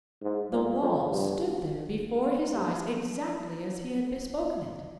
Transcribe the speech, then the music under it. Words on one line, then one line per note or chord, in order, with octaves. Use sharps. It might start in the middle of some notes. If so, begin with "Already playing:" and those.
The wall stood there before his eyes, exactly as he had bespoken it!
G#2
A#2
F2
G2
G2